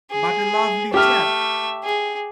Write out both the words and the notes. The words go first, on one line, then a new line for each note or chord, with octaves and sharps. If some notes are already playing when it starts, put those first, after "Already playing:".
But a lovely chap!
G#4
A3 G4 E5 F6
G#4